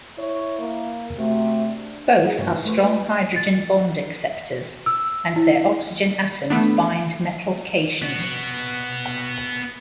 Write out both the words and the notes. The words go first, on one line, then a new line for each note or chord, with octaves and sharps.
Both are strong hydrogen bond acceptors, and their oxygen atoms bind metal cations.
E4 C#5
A#3
C3 A3 F#4
D4
G#4 A#4
D2 G2 C#3 F#4 G4
D#3 E3 D#4
G#3 A3 F#4 B4 C5
F4 B4 A5
A6
E6
E4
A3 B3 D4
B3 F#4